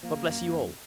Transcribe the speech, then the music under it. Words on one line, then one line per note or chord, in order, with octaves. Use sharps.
God bless you all!
F3 A#3
C#3
F#2
F#2
F2